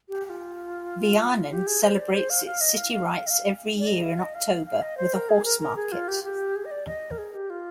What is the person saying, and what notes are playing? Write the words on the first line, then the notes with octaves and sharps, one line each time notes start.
Vianen celebrates its city rights every year in October with a horse-market.
G4
G4
F4
G4
G#4
C5
D5
C5
F5
F5
D#5
F5
F5
G5
F5
D#5
F5
D5
D#5
F5
D#5
F5
F5
D#5
C5
A#4
G#4
A#4
A#4
G#4
F4
G4
G4
G#4
D#5
D5
D#5
A#4
G#4
G4
F4